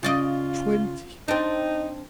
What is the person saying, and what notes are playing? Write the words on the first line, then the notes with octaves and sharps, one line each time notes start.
At twenty!
C#3 F4 D5 D#5
C4 D4 D#4